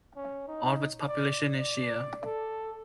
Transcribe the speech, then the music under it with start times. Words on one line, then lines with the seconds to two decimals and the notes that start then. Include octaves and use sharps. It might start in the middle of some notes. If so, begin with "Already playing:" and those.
All of the its population is Shia.
0.16 C#4
0.48 D#4
1.08 D5
1.58 D5
2.23 A4